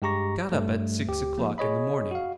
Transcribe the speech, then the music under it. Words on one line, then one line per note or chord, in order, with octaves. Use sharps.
I got up at six o'clock in the morning.
G2 G#3 G4 A#5 C#6 A#6
G2 G3 A3
D2 G4
F3 A#3
G#4 C#5 D#5 B5
F#4 F5